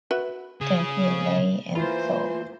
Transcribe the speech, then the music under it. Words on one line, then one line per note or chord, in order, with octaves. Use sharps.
Then he lay and thought.
F#4 B4 E5
C#3 G#4
E3 A3 A#3 E4 F4 C5